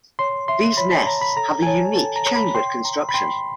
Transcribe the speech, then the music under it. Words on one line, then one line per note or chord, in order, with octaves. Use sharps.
These nests have a unique chambered construction.
C#5 C6
E5 C6
C#5 B5
A5
C#5 A#5
B5
A4 A#5
G#5
C#5 A5
A4 A5
A#5
C#5
B5
G5 C6
A#5
B5
G5 C6